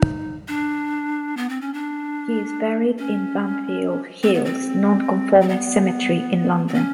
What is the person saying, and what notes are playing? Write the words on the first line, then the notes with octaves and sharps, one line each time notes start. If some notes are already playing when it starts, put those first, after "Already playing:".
He is buried in Bunhill Fields non-conformist cemetery, in London.
Already playing: D#4
D4
B3
C4
C#4
D4
C#4
C4
B3
C4
C4
B3
C4
C#4